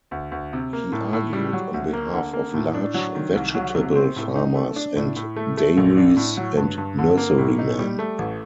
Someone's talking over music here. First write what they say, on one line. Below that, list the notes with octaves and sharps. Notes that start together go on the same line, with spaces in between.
He argued on behalf of large vegetable farmers and dairies and nurserymen.
D2
D2
C3
A#3
A2
A2
G3
F#3
D2
A#3
D3
A#3
A2
D4
F#3
D#3
C2
F#3
C3
C4
A2
D#4
A3
D4
A2
A2
A3
A3
A#1
D4
A2
F#3
G2
G2
D3
A#3
A2
D#4
G3
A3
A1